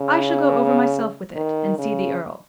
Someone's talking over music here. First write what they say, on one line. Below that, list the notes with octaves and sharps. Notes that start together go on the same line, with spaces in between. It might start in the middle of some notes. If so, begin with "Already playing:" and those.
I shall go over myself with it, and see the earl.
Already playing: C#3
D#3
C#3